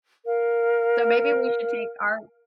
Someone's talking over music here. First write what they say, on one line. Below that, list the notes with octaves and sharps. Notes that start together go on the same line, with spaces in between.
So maybe we should take our
A#4 F5